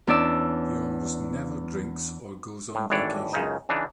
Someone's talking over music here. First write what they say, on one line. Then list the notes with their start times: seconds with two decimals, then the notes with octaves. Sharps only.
He almost never drinks or goes on vacation.
0.07 E2 C#4 D4 D5 E6
2.75 A2
2.90 G#1 A2 E3 D4 C#5 D5
3.33 C#2 F#2 C#3 D#4
3.69 C#3 E3 D4 D#4